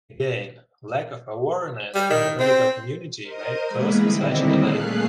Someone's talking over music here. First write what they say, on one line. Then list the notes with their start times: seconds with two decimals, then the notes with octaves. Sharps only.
Again, lack of awareness in the medical community may cause such a delay.
1.95 G3
2.10 D#3
2.40 C4
3.22 A#4 C5 D#5 D#6
3.68 E3 G#3 A#3 B3 G#4 B4
3.98 D3 D#3 G3 C4 D#4 E4
4.54 A#2 A3 G#4 F5 F#6 C7